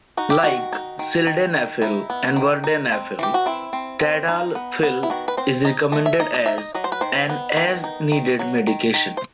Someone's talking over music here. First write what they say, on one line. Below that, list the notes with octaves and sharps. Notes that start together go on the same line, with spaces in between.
Like sildenafil and vardenafil, tadalafil is recommended as an 'as needed' medication.
D#4 F#4
G4
D#3 F#4
D#4
D#3
D#3
D#3
D#4 E4
B3
D#3
D#4
C4
E3 G4
F#4
C4 E4
C4
C4
D#4
B3
B3
E4
D#3 F#4
B4
C4 C5
D#4 D#5
A3 D#5
E5
D#4 D#5
D#5
D#4 E5
D#5
F#3 D#5
C5
B4
D#3 C5
B3
D#3
D#4
D#3
F#3
D#3
D#3
C5